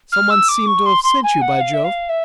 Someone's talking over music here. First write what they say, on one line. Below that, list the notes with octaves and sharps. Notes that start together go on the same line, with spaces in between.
Someone seemed to have sent you, by Jove!
F6
E6
D6
C#6
C6
C6
G#5
F#5
F5
E5
F5
E5